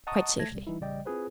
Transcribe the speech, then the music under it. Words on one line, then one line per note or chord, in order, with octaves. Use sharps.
"Quite safely."
D#5 F#5 A5 A#5 C#6 D#6
A3 A5 G#6 A#6
C2 G3
E3 G3 D#4 E4
A1 C#3 G3 D5 D#5 G5
C4 E4 F4 G#4 B4 C5